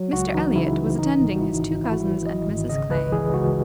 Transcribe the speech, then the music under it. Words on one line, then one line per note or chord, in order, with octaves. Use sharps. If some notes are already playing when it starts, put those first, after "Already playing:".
Mr Elliot was attending his two cousins and Mrs Clay.
Already playing: F#3
C#2 F#4
E3 D#4
C#3 E4
E3
G#1 D#4
G#1
F#4
G#1 E4
G#1
E3 E4
F#4
E3 E4
E3 D#5
G#1
C#3 D#5
C#2 B4
E3 G#4
C#2 F#4